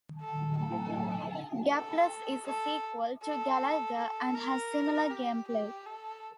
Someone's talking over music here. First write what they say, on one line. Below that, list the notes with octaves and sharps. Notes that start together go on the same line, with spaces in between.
"Gaplus" is a sequel to "Galaga" and has similar gameplay.
A4
A4
A4
A4
A4
A4
A#4
G4
G4
A4